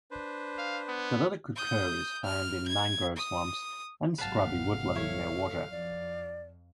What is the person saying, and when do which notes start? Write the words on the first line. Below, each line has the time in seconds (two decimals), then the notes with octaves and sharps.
The little cuckoo is found in mangrove swamps, and scrubby woodland near water.
0.11 D4 B4 C5
0.58 F5
0.88 B3
1.56 D#6 G6
2.24 F6
2.68 G#6
3.16 D#6
4.18 G#1 C3 F#3 B4 F5 F#5 A5
4.95 E4 A4 C#5
5.71 F2 D5